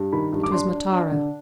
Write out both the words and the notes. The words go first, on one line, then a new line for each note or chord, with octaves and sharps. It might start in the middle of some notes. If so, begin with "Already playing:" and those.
It was Matara.
Already playing: G2
D#3 B5
G2
D6
D4 C6
D4
D4
D3